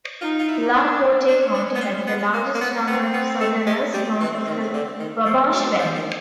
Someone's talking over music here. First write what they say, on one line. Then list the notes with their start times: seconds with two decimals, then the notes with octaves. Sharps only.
LaPorte County had the largest number of Southerners north of the Wabash Valley.
0.21 D#4 F4
0.39 F4
0.48 E4
0.74 D4
1.28 C#4 D4
1.54 D4
1.75 B3
1.81 C4
2.07 B3
2.34 A#3
2.55 A#3
2.61 B3
2.87 B3 C4
3.14 B3
3.41 A3
3.67 G#3
3.94 G3 C4
4.20 E3
4.47 D#3
4.63 C#3
4.74 D3
5.00 D#3
5.26 F3
5.53 F#3 D4
5.79 F3
5.95 D#3